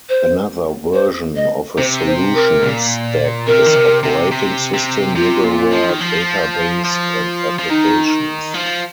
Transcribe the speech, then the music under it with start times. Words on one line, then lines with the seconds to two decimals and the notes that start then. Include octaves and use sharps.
Another version of a solution stack is operating system, middleware, database, and applications.
0.09 C5
0.94 C5
1.36 D#5
1.78 C3 C5
2.06 C5
2.34 A#4
2.63 A#2
3.47 C3 A#4
3.66 D#3
3.75 C3
4.03 C3
4.31 C3
4.74 C3
5.16 C3 F4
5.44 A#2
5.72 F3
5.90 D#3
6.01 F3
6.85 F3
7.59 F3
7.70 D#3 D#4
8.54 F3